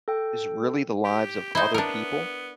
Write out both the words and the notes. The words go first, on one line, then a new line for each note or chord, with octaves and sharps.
is really the lives of other people.
A4 G5
G4
D#4 E4 C5
B3 D4 A#4